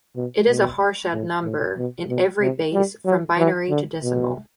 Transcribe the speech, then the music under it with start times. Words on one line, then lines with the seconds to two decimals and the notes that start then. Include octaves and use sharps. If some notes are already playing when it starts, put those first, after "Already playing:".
It is a Harshad number in every base from binary to decimal.
0.16 B2
0.48 B2
1.13 A2
1.44 A2
1.77 B2
2.09 B2
2.41 C3
2.73 G3
3.05 F#3
3.38 E3
3.70 D3
4.03 B2